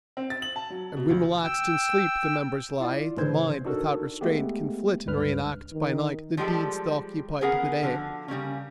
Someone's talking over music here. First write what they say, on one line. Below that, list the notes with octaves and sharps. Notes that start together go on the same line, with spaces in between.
And when relaxed in sleep The members lie, the mind, without restraint Can flit, and re-enact by night, the deeds That occupied the day.
C4
A6
F#7
A5
F#3
B2
D2
G5 E6
E4 F4 D5
A2 C#3 E3 C5 G#6
D4 D#4 F#4 A4 A#4
G#3 A3 B3 G4
C#2 G2 B4 F6
D#3
F3 G3 G#3 G4 A4
B3 C#4 G#4 A#4 F#5
D3 F3 F#4
C#3 G3 A#3 C#4